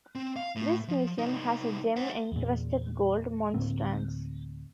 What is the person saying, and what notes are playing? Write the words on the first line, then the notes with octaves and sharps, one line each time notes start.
This museum has a gem-encrusted gold monstrance.
C4
F5
A2
F3
C2 D#4
C5 F#5
E2 A#2
D2 A2 A#3 C4